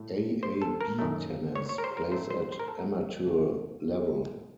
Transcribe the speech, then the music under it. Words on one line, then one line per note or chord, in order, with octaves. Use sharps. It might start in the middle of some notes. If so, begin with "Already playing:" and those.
AaB Tennis plays at amateur level.
Already playing: A2 A3
C5
A4
A#4
F#2 D#3 F#3 A3
C#5
C#5
A#4
C5
A#4
A2 F#3 A3 C5
C5
C5
A#4
A4
F2 C3 F3 A3